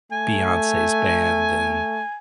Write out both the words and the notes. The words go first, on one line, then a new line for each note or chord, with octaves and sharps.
Beyonce's band and
A3 G#5